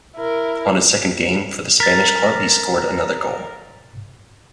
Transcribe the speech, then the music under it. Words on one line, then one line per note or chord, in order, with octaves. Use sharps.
On his second game for the Spanish club he scored another goal.
E4 A#4
A#4 A6 B6